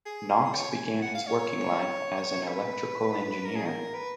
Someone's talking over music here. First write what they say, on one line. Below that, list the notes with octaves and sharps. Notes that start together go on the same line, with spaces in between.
Knox began his working life as an electrical engineer.
G#4
C#5
G#5
G#5
F#5
F5
C#5
C#5
B4
A#4
G#4
A#4
B4